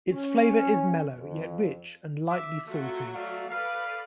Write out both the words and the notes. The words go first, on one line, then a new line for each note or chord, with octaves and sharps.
Its flavor is mellow, yet rich, and lightly salty.
C#4
F2
E5 D6
F#3 A3 F4 F#4 E5
A3 D5 F5
A4 B4 D5 F5